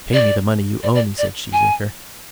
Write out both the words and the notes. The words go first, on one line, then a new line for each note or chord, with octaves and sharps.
"Pay me the money you owe me," said Cheesacre.
D5
D5
D5
D5
G#5